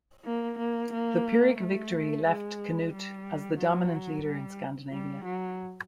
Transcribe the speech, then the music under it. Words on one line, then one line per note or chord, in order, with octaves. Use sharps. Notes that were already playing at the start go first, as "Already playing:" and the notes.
The Pyrrhic victory left Cnut as the dominant leader in Scandinavia.
A#3
A#3
A#3
A3
G#3
G3
F#3
G3
G3
F#3